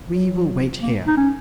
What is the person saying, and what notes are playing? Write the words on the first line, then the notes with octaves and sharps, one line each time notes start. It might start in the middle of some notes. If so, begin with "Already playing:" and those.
"We will wait here."
F#3
A#3
D#4
C#4